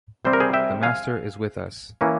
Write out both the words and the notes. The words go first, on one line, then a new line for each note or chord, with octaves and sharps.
The Master is with us.
C3 G3 C4 C5
A#4
G#4 C5
E5 G5
F5 G#5
E3 A#3 C#4